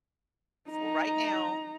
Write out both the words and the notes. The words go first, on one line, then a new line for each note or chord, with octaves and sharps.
for right now,
D#4 A#5